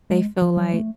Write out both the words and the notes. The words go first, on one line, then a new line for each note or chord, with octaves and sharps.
they feel like
G#3
F3
F#3
A3